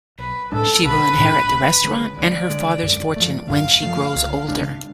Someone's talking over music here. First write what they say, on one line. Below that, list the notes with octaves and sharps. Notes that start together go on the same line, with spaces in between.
She will inherit the restaurant and her father's fortune when she grows older.
B1 B4
A2 G#3 D4 A4
B1 B4
A2 G#3 D4
D2
D3 G#3
D2 D5
D3 G#3
F#2
F3 A3
F#2 F5
F3 A3
C#2
C#3 G#3 D4